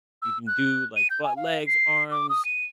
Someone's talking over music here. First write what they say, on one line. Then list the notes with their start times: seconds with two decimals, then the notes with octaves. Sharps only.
you can do, like, butt, legs, arms,
0.22 E6
0.47 F#6
0.96 D#7
1.10 G6
1.24 G#5
1.37 F5
1.67 C7
2.11 D6
2.29 D#6
2.45 D#7